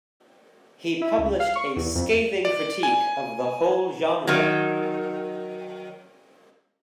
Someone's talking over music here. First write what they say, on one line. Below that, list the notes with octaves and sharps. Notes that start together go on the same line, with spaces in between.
He published a scathing critique of the whole genre.
E4
C#2
F5
C#6
E2
F2
D5
G#5
D#3 F#3